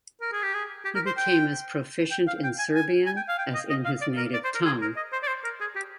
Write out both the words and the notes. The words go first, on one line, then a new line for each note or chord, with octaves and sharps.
He became as proficient in Serbian as in his native tongue.
A#4
G#4
G4
G#4
G4
A#4
C5
G5
G5
F5
G5
G#5
G#5
G#5
G5
F5
G5
D#5
D#5
F5
D5
A#4
D5
C5
A#4
G#4
A#4
D#5
C5
D5
C5
A#4
G#4
G4